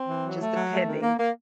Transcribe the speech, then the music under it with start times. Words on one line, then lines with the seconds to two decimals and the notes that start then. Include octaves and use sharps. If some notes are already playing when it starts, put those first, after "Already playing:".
just depending,
Already playing: C4
0.08 E3
0.24 F#3
0.40 A3
0.56 F#3
0.71 A3
0.87 D#3
1.02 A#3
1.18 A#3